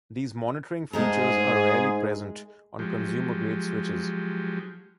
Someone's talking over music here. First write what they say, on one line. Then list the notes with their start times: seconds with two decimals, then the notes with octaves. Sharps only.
These monitoring features are rarely present on consumer-grade switches.
0.93 G#2 G#3 A3 G#4 A#4
2.79 F3 F#3 G#3 G4